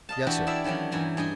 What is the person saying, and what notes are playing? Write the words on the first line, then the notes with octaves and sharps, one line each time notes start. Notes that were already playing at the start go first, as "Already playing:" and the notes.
"Yes, sir."
D#5 F5 A5
E3 D4 F#4 G4 A4 B4
E4 G#4 A4 D5 E5 F5
D#3 E3 F#3 C#4 D4
E2 G2 E3 G#5 A#5
G2 G#4 D#5 G#5